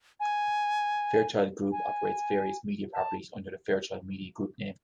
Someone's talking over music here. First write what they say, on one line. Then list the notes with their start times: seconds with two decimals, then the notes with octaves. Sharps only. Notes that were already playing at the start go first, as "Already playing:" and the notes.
Fairchild Group operates various media properties under the Fairchild Media Group name.
0.20 G#5
1.72 G#5
2.93 A5